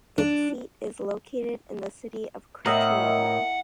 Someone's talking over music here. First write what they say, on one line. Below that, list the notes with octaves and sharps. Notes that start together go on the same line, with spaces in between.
Its seat is located in the city of Katrineholm.
D4
A2 A#4 D#5 E5 F#5